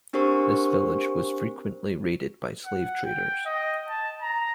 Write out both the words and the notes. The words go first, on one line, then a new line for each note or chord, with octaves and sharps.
This village was frequently raided by slave traders.
C4 D4 G4 A#4 C5 C#6
F#5
G5
D#5
A5
A#5